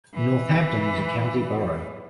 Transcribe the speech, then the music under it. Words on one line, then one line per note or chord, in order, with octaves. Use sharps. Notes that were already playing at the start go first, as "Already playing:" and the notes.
Northampton was a county borough.
E3